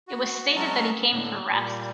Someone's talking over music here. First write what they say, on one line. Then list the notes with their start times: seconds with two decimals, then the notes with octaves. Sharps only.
It was stated that he came for rest.
0.08 F#4
0.56 F#3 G#3 C#4 F#4 A5 A#5
1.12 A2 D3
1.52 A#2 G3